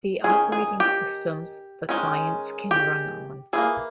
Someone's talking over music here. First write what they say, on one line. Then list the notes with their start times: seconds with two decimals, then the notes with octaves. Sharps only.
The operating systems the clients can run on.
0.24 G#3 C#4 G#4
0.29 D#3
0.52 G#4
0.80 G4
1.89 D#3 G#3 C#4
2.71 G4
3.53 E3 G3 A#3 G#4